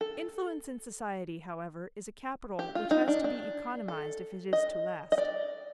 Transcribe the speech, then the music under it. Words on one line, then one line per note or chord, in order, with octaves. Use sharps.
Influence in society, however, is a capital which has to be economized if it is to last.
A4
G4
F4
D#4
D4
D4
A4
D#5
D#5
D5